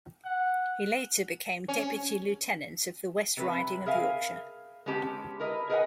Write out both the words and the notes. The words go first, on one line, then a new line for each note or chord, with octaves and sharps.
He later became deputy-lieutenant of the West Riding of Yorkshire.
F#5
C#4
C3 F#3 B4
G#4 A#4 E5 F5 G#5
G#3 B3 C#4 G4 A5
E4 A#4 B4 D#5
G#4 A#4 B4 D#5 F#5 G#5